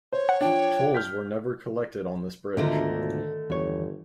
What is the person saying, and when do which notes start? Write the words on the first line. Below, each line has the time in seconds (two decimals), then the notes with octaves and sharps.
Tolls were never collected on this bridge.
0.12 C5 C#5
0.29 F#5
0.41 F3 D4 G5
0.94 F6 G6 B6
2.57 D2 G#2 B2 D3 D#3 A3 F4 A#4
3.50 G1 E2 C#5